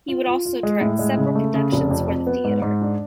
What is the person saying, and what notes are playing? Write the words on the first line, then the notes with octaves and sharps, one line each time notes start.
He would also direct several productions for the theatre.
F4
F4
F4
G#3
A2
G#3
C#3
A3
C#3
F1
F2
F2
B3
G#2
G#2
D4